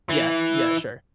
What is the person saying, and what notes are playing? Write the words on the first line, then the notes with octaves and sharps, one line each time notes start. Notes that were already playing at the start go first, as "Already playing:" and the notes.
Yeah, yeah, sure.
E3